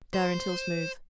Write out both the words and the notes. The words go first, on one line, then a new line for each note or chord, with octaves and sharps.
Stir until smooth.
C5